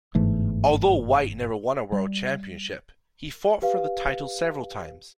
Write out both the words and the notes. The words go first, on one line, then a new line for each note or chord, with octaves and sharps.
Although White never won a world championship, he fought for the title several times.
G1 G#2 E3 A3
G3
G4 B4 F5